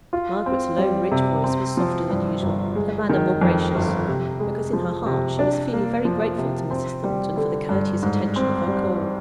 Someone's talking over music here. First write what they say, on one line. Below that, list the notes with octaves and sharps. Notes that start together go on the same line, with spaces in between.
Margaret's low rich voice was softer than usual; her manner more gracious, because in her heart she was feeling very grateful to Mrs. Thornton for the courteous attention of her call.
F4
C4
G3
C3
C4
F3
G2
G1
G#3
D#3
F2
G1
C3
G#3
F3
C3
D4
A#3
F3
C3
C4
G3
D3
G2
G#2
C4
G3